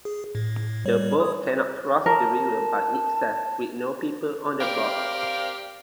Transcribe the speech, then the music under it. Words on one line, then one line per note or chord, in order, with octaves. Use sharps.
The boat cannot cross the river by itself with no people on board.
G#4
A2
G3 C#5
C#5 D#6
A#4 A5
C4 G4 A#4 D5 F5